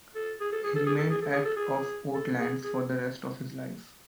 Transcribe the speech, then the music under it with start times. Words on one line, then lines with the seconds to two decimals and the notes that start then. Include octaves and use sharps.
He remained at of Oatlands for the rest of his life.
0.15 A4
0.40 G#4
0.52 A4
0.63 G#4
0.75 A4
0.87 G#4
0.98 A4
1.10 G#4
1.22 A4
1.33 G#4
1.45 A4
1.56 G#4
2.14 A4
2.38 G#4
2.64 G#4